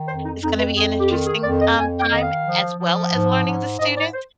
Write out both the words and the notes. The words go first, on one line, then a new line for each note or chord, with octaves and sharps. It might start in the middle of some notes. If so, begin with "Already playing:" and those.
It's gonna be an interesting, um, time as well as learning the student.
Already playing: D#3
F2 C5
D#4
F2 D#4
B4
F2 G#4
G4
D#3 F4
G#4
F2 D5
D#5
F2 G#5
G5
D#3 D#5
F5
F3
F3
G#2
G#2
G#2 D#5
D5
C5